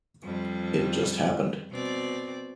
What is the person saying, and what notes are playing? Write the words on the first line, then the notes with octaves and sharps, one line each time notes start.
It just happened.
F2 G3
B2 C4 D5